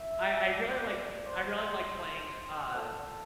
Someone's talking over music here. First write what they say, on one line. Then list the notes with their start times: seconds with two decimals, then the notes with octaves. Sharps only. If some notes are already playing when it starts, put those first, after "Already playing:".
I I really like, I really like playing, uh,
Already playing: E5
0.50 D5
0.88 D5
1.26 C5
2.75 A4